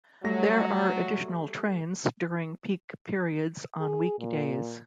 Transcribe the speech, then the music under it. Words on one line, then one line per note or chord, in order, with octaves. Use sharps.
There are additional trains during peak periods on weekdays.
F#3 G3 A3 A#6
G#4
A#2